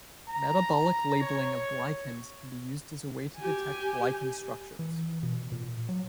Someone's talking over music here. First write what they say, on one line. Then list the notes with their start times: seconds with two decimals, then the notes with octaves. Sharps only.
Metabolic labeling of glycans can be used as a way to detect glycan structures.
0.29 A#5
1.21 C#5
3.38 G4 G#5
4.79 E3
5.23 B2
5.52 A#2
5.89 F#3